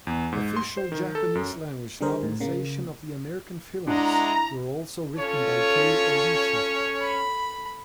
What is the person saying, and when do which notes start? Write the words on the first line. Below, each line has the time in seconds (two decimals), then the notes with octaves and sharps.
Official Japanese-language novelizations of the American films were also written by Kei Ohishi.
0.07 E2
0.32 G#2
0.57 C6
0.77 C5
0.92 D#3
1.15 A4
1.35 F#2
2.01 D3 G3 G#4 A#4 C5
2.23 A2
2.40 C#3 A#3
3.87 G#3 D4 E4 D5 F#5 A#5
5.18 C#4 F4 A4 C#5
7.02 B5